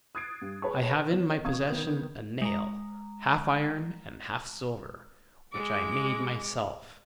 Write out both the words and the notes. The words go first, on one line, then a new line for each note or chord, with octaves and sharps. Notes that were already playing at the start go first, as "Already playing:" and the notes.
I have in my possession a nail, half iron and half silver, which I made myself.
D#6 F#6 G#6 A6 C7 D7
G2
G#4 B4 C#5 A5 B5 C#6
B3 C#5 E7
F1 F2 F5 C#6 D#6 G#6
D#3 B3 A#4 G6
G#3 A#5
G#3 D6